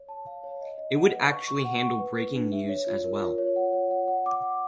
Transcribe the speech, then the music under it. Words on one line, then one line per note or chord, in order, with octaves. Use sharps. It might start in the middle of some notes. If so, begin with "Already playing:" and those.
It would actually handle breaking news as well.
Already playing: C#5
A5
F5
C#5
D#5
D#5
F#5
B4
C#6
C#6
F#5
C#6
B4
B4
D4
E5
C#5
F4
A#4
F4
C#5
F#5
C#5
F#5
F#5
D6
F#5